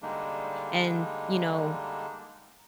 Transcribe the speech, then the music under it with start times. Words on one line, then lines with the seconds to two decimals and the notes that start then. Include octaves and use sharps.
and, you know
0.02 D3 G3 G#3 A#3 D4 D#4